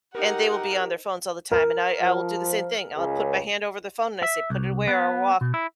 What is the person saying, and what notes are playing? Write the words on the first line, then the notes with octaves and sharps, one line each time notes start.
and they will be on their phones all the time, and I I will do the same thing. I'll put my hand over the phone and I say, "Put it away or I'll walk."
D#4 G4 A#4 F#5
A#4
F3
C#2
E5
C2
B3
B2
E4